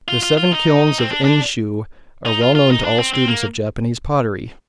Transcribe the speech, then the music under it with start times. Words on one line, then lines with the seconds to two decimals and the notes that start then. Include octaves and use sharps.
The Seven Kilns of Enshiu are well known to all students of Japanese pottery.
0.08 F4
0.23 F4
0.37 F4
0.52 D#4
0.98 C4
1.10 D4
1.24 D4
2.26 D#4
2.41 F4
2.55 F4
2.70 D#4
2.85 D4
2.99 C4
3.14 C4
3.28 A#3